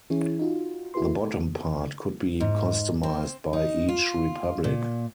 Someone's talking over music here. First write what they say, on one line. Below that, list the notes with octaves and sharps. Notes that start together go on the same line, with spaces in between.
The bottom part could be customized by each republic.
E3 C#4 E4 G#4 C#5
D#4 F4 F#4
E4 F#4 G#4 B4 C6
G#2
C4
D#4
F4
A#2